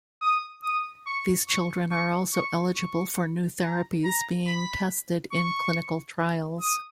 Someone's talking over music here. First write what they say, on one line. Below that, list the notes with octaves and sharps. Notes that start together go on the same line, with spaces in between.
These children are also eligible for new therapies being tested in clinical trials.
D#6
D#6
C#6
C#6
C#6
C#6
C#6
A#5
A#5
B5
C#6
D#6